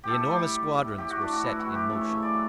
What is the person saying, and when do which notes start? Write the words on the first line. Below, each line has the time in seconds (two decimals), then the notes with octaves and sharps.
The enormous squadrons were set in motion.
0.04 A2 G4 A4
0.31 G3 G4
0.54 G3
0.77 A2
0.98 A2 G4
1.10 F#4
1.21 A2 D4
1.33 F#4
1.43 E3 E4
1.59 F#4
1.67 A3
1.74 G4
1.90 C#3 A4
2.01 C#5
2.11 C#3 E5
2.22 D5
2.34 F#3